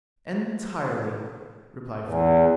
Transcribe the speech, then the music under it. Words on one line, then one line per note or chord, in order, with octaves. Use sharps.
"Entirely," replied Fouquet.
E2